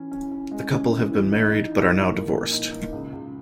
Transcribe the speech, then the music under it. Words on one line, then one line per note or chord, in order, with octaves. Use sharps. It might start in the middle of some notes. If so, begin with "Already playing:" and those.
The couple have been married but are now divorced.
Already playing: E3 C#4
C#4
C#4
G#3
C#4
E3
E3
D#4
D#4
D#4
F3
A#3
A#2
D#4
D#4
C#2
C#2